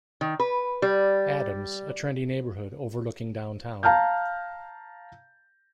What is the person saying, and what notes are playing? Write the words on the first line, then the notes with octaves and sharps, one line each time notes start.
Adams, a trendy neighborhood overlooking downtown.
D#3
B4
G3
F5 A5 A#5 F6 G6